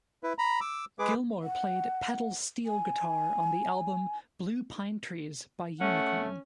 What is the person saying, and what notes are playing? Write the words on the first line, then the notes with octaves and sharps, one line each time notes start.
Gilmour played pedal steel guitar on the album "Blue Pine Trees" by Unicorn.
E4 B4
A#5 B5
D6 E6
G#3 G#4 B4 D6
F#5
G#5
A3 C#4 F#5